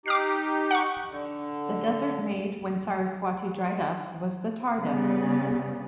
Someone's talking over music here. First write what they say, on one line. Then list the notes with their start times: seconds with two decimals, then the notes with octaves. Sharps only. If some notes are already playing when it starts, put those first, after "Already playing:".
The desert made when Saraswati dried up was the Thar desert.
0.06 D#4 G4 D6 F6 C7
0.71 F#5 C#6
1.09 D3
4.79 C#3 G3 B3